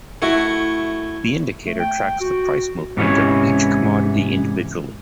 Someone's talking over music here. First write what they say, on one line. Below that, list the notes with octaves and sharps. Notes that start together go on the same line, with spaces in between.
The indicator tracks the price movement of each commodity individually.
A3 E4 F#4
A3
G5
F#4
G#2 C3 E3 B3 C#4 C#5